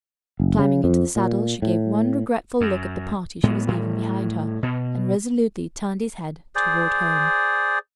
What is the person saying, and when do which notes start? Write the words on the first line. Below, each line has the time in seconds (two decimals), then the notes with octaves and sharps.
Climbing into the saddle, she gave one regretful look at the party she was leaving behind her, and resolutely turned his head toward home.
0.40 F#1
0.59 C#3
0.84 F2
1.16 A#2
1.62 A2
2.61 F#2
3.43 A2 G#3 B3
3.67 A2 G3
4.63 B2
6.55 G#4 C5 D5